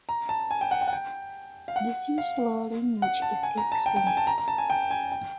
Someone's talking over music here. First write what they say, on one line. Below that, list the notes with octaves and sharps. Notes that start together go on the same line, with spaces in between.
The Siuslaw language is extinct.
A#5
A5
G#5
G5
F#5
G5
F#5
G5
F5
F#5
F5
F#5
A5
G#5
A#5
A5
G5
G5
G#5
A5
A#5
A#5
A5
G#5
G5
G#5
G5